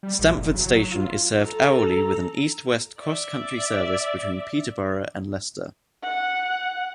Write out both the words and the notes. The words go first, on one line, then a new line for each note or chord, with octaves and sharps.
Stamford station is served hourly with an east-west CrossCountry service between Peterborough and Leicester.
G3
A#1
F#1
F#3
F4
A4 A#5
D5 E5
F#5